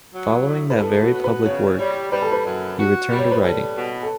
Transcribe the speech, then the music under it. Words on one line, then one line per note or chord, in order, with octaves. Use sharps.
Following that very public work, he returned to writing.
F#3
A2
B4
A2 A4
F#4
B3
B4
C#3 C#5
G3 C#5
G3 B4
A4
B4
F#2
F#4
G3
C#5
B4
G3 A4
B2
A4